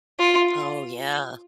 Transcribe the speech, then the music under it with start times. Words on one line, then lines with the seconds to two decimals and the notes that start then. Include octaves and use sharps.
Oh, yeah.
0.19 F4